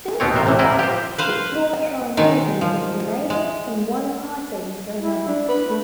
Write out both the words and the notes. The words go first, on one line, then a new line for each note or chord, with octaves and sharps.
This allows secure transmission of information from one party to another.
D#2 B2 B3 C4 C#5
A1 C3 A#4 C5
A1 C3 E3
E4 A#4 C5 D5 D#5
G4 C5
B4 C5 F5
B2 D#3 G#3 D#4
F3
G#3
E4
D4
B4
A3